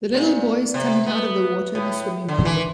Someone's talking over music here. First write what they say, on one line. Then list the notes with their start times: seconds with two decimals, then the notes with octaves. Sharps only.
The little boy is coming out of the water in a swimming pool.
0.14 A#2
0.74 C3
1.07 B3
1.75 A2
2.29 D3
2.45 E3